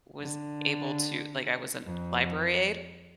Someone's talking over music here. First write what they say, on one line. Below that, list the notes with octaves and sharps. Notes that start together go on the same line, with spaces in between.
was able to like, I was a library aide,
D3
F2